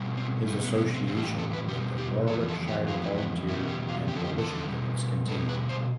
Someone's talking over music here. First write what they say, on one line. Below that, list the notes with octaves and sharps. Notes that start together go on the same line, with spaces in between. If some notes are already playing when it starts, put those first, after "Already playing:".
His association with the Warwickshire volunteer and militia units continued.
Already playing: B2 G3
C4
B2 G3 A3
B3
B3
C4
A2 E3 G3 C4
A4
G4
A4
B4
B2 G3 G4
G4
F2 E3 G3 A4
A4
G4
F2 E3 G3 F4
A3
B3
E2 B2 G3 E4
G4
F4
E2 D3 F3 G4
A4
G4
A4
B2 G3
B2 G3 A4
B4
C5